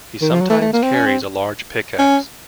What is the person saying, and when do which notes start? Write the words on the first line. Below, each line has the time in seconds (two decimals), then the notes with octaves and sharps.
He sometimes carries a large pickax.
0.21 D#3
0.31 F3
0.40 F#3
0.49 A3
0.61 A3
0.73 A#3
0.83 C4
0.94 C#4
1.06 C4
1.99 C#4